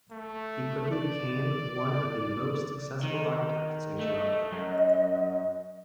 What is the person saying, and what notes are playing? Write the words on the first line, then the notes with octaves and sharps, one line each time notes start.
He quickly became one of the most successful architects in Toronto.
A3
D5
D#3
A3 D#5
F#2